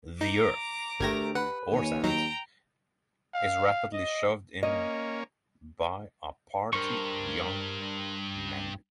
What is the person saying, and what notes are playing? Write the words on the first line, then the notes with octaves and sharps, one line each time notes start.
The earth or sand is rapidly shoved in by a party of young men.
D#4 A#5 D6
G1 D2 A3 G4 A#4 G#6 A#6
B4 F#5
D#2 C#5 G#5
F#3 D#4 G5 A#5
F5
D#5
A#3 C#4 D#5
G2 A#4 C5 C#6